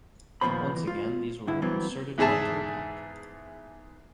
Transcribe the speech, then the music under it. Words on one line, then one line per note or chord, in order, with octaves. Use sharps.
Once again these were inserted one-to-a-pack.
D#2 A#2 F3 B3 C5 B5
E3
F4
G2 D3 E4
G2 E3 F#3 B3 C4
E2 G#2 G#4 E5 A5